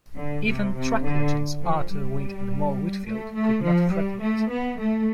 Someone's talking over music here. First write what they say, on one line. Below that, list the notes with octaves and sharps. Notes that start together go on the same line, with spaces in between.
Even track legends Arthur Wint and Mal Whitfield could not threaten it.
D3
C3
C3
D3
F3
G3
A3
A3
F3
G3
A3
B3
A3